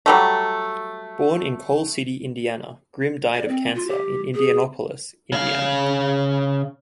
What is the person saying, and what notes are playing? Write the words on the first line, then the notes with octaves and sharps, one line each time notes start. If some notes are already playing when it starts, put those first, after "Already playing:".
Born in Coal City, Indiana, Grim died of cancer in Indianapolis, Indiana.
F#3 G3 A3
D5
C4
F4
G4
G#4
C#3 F5